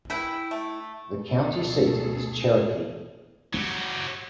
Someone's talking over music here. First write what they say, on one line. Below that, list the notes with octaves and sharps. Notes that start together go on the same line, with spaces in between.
The county seat is Cherokee.
E4 G#4 B4 G5
A3
D2 B2 G#4 A4
F#3 G4